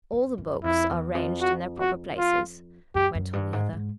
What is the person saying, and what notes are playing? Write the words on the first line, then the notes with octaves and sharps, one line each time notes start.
"All the books are ranged in their proper places," went on the other.
F2
F#2
F2 E4
E2
F2
F#4
F#4
F4
F#2 G4
F#2
G2
G#2
G#2